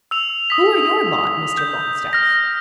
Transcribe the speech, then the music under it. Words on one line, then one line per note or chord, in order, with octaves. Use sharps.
"Who are your lot, Mr. Longstaff?"
E6 F7
D#6 B6
G6
F6 A#6